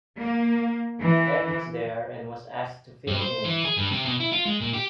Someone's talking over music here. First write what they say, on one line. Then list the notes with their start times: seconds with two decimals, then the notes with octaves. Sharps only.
Ed was there and was asked to fill in.
0.18 A#3
0.99 E3
3.07 G2
3.22 C5
3.45 E3
3.65 G#4
3.77 G2
3.92 C3
4.05 B2
4.20 E4
4.32 F4
4.45 G#3
4.61 A#2
4.74 G4